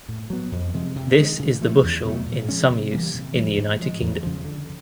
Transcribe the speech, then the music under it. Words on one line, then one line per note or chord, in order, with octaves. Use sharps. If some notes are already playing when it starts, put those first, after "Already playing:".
This is the bushel in some use in the United Kingdom.
A2
F#3 B3
F2
C3 F3 G#3
C3
D#3 G#3
C#3
F3 A3
E2
B2 F#3 A3
A#2
F3 G#3 C#4
C3
E3 G3 A#3
C3
E3 G3
G#2
F3 G#3
E2
C#3 F3
D3